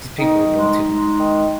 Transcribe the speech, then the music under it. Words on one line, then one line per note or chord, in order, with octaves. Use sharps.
These people are doing too much.
D#3 D#4
G#3
G#3
D#3